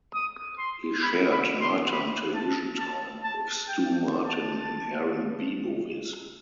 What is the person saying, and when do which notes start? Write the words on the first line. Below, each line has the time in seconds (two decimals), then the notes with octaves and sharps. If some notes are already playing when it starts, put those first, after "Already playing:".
He shared night-time television time with Stu Martin in airing B movies.
0.14 D#6
0.58 C6
1.02 B5
1.32 B5
1.61 C6
1.91 B5
2.35 A5
2.79 A5
3.24 A5
3.68 G5
4.26 A5